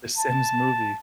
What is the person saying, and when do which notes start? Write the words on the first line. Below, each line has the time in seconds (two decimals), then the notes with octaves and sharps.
The Sims movie
0.17 A5